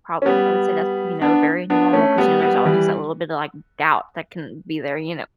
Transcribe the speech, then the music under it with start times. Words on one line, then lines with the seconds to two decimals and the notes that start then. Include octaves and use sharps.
prob I would say that's, you know, very normal 'cause, you know, there's always just that little bit of, like, doubt that can be there, you know?
0.22 C#4
0.25 G3 B3
1.21 B3 D4
1.70 B3 D4
1.93 A3 C#4
2.18 G3 B3
2.42 G3 B3
2.65 E3 G3